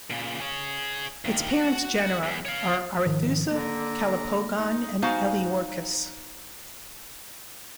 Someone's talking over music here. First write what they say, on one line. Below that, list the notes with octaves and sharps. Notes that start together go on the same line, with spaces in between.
Its parents' genera are "Arethusa", "Calopogon" and "Eleorchus".
A#2 C#3
G#4 C#5
G2 D#3
F#4
E2
C#5 F5
G#2 D#3 F3
D3 A#3 A#5
D#4
B3 D#4 F#4 C5 F5 G#5